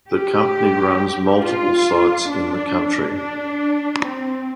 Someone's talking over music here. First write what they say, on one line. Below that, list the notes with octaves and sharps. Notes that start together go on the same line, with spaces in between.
The company runs multiple sites in the country.
G4
F4
D4
D4
C4